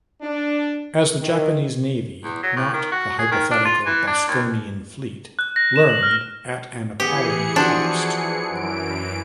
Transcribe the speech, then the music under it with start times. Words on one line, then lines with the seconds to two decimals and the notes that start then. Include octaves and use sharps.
As the Japanese Navy-not the hypothetical Boskonian fleet-learned at an appalling cost.
0.22 D4
1.20 D#3
2.24 E2
2.43 F#3
2.57 A2
2.74 D#3
2.92 F#4
3.19 G#4
3.32 D#3
3.51 D4
3.65 F4
3.86 E3
4.07 D4
4.28 D#2
5.39 F#6
5.56 A#6
5.76 E7
5.89 F#7
6.03 F6
7.00 E3 B3 G4 G#4 C#7
7.56 F3 B3 D4 F#4
8.49 F#2 E3 D7